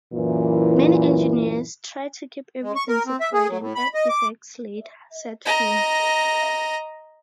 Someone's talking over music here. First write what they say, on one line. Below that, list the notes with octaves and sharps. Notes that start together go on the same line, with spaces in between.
"Many engineers try to keep everything separate and add effects later," said Finn.
F#2 A#2 E3
G#3
C#6
A#4
C4
E5
G#4
F#3
A2
B5
D#5
D6
D#5 A#5